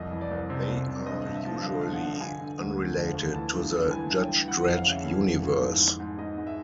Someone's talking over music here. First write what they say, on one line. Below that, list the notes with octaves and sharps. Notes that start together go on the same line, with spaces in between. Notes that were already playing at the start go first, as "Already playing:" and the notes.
They are usually unrelated to the Judge Dredd universe.
Already playing: C2 F2 D#5
E3
D5
C2
C3
C2
C3
G2 D#5
G2
E5
F3
D3 F5
F3 F5
F#5
D3
D3 G#5
D3
D2
D3
F3
D2
E3 A5
G2
E3
E3 G#5
G2
G5
E3
E3 F#5
F2 F#5
F5
C#3
E5
E3
F2
E3
G#2
G#2
G#2
G#2 D#5
G#2
E5